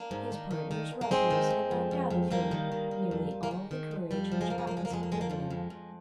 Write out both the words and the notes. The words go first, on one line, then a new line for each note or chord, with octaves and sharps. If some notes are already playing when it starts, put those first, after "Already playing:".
His partner's roughness had knocked out of him nearly all the courage which Bacchus had given him.
Already playing: A#3 D4
G#2
D#3
D#3
D#3
G#2
A#3
G#2 G#3 C4
D#3
G#2
F2
F2
F2
F2 G3 A#3
D#3
D#3
D#3
F2
F2
A#3
D#3 G#3
D#3
F2
F2 G3
F3
G#3
F2 A#3
G#3
A#3
F2
G#3
A#3
F2 G#3
A#3
F3 G#3
A#3
F2 G#3
F2
F2